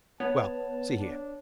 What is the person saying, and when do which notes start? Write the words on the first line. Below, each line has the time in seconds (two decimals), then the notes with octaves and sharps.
Well, see here.
0.20 B3 C#5 A5
1.00 D4